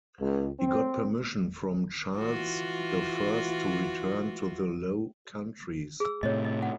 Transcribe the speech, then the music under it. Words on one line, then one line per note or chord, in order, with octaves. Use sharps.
He got permission from Charles the First to return to the Low Countries.
C#2
C4
E3 F4 F#4
G#4 E6
A2 C3 C#5 D#5
D#5
F#5